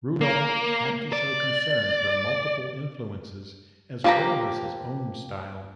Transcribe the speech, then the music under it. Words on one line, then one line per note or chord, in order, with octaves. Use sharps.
Rudolph had to show concern for multiple influences as well as his own style.
A#3
D5
F3 A#3 G4 B4 A#5